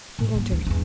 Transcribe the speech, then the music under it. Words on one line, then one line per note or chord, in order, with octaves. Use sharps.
He entered.
A2
G#2 A#3
D2
E2 G2